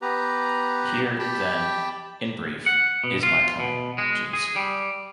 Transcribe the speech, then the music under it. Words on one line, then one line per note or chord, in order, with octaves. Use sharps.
Here, then, in brief, is my plan, Jeeves.
B3 G4 B4 A#5
G4 G5 A5 B5
F#5
B2
F4
B2
G#3
G#4
G3